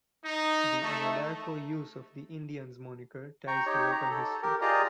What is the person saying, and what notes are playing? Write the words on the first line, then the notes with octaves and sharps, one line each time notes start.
The Anadarko use of the "Indians" moniker ties to local history.
D#4
A3
G5 A#5 C#6
D#4 G4 C#5
A#5
A4
G4 A#4
F4 G4 G#4 D5 D#5 A#5